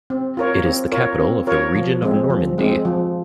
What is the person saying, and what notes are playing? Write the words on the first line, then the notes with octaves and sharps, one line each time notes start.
It is the capital of the region of Normandy.
C4
F4 A#4 C#5
C4
F4 A#4 C#5
C4
F4 A#4 C#5
F3
G#3 C4
F3
G#3 C4
F3